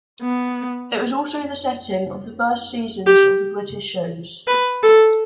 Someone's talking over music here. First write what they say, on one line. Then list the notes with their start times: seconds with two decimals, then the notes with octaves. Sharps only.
It was also the setting of the first seasons of the British shows.
0.22 B3
3.06 G4
4.47 B4
4.83 A4